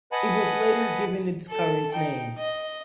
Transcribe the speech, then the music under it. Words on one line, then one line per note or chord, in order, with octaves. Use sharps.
It was later given its current name.
B4 D#5 F#5 G#5 A5 B5
A4 A5
D#4 G5
D#5